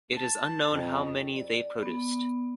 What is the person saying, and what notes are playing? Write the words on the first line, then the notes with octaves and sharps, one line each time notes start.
It is unknown how many they produced.
A5
F2
D5
B3